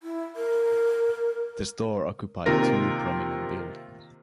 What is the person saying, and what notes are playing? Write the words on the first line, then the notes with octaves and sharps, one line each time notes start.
The store occupied two prominent buildings.
E4
A#4
C3 D#3 A#3 F4 A#4 A#6